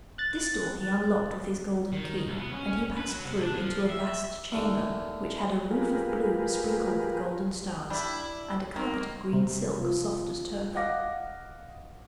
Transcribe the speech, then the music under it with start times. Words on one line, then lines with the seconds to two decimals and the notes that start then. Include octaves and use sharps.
This door he unlocked with his golden key, and he passed through into a vast chamber which had a roof of blue sprinkled with golden stars, and a carpet of green silk soft as turf.
0.18 F#6 A6
1.93 D#3
2.27 C2
2.39 B3
2.53 C#4
2.97 B4
3.10 F#3
3.25 C3
3.41 D4
3.57 F3
3.90 E5
4.52 D#2 D3 E3
5.71 F4 G4 G#4 A#4 B4
7.90 G3 D4 E4
8.76 D#3 A#3
9.33 C3
9.80 F3
10.75 D#5 F5 F#5 D6 A#6